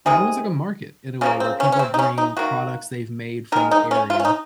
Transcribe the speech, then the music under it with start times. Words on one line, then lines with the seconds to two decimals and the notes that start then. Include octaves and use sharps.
like, almost like a market in a way where people bring products they've made from the area,
0.06 C3 D#3 G#3 G#4
1.21 C#3 F3 A#3 C#4
1.40 C4
1.60 C#4
1.72 C#4
1.79 C4
1.94 D#4
1.99 C#4
2.18 D#4
2.37 D#3 A#3 F#4
3.52 D#3 A#4
3.56 G#3
3.71 D#4
3.91 C#4
4.10 F4
4.20 C#4
4.25 D#4